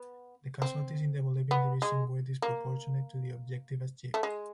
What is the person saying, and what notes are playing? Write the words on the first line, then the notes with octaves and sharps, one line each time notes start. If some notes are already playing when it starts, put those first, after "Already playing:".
The casualties in the Bolivian division were disproportionate to the objective achieved.
Already playing: B3
C4
B3
G#3
A#3
A3
G#3